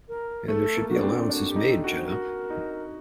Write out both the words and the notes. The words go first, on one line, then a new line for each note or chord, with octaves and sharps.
And there should be allowances made, Jenna.
A#4
A3 A4
A#3
F#4
D4
C4
D4 F#4
G4
D#4
A4
F#4
A#4
C5
F#4 A#4
D#4